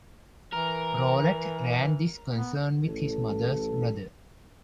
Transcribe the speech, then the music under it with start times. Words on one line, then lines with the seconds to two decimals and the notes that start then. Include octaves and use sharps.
Rolette ran this concern with his mother's brother.
0.53 E3 A#4
2.36 B3
2.85 A1 A4